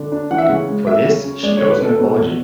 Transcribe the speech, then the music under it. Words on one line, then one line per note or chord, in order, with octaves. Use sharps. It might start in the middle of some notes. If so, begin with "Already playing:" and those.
For this she owes an apology.
Already playing: D3
D4
E3 F#5
E5
C#3 F#5
G#3
F#3 E5
C#3
C#4
G#3 D5
C#5
D3
B4
B3 A4
B2
E2